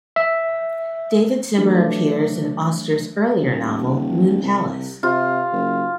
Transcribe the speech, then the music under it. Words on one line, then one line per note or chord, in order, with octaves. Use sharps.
David Zimmer appears in Auster's earlier novel "Moon Palace".
E5
E3 F#3 A3 D4
D#1
C2
C3 F4
F#1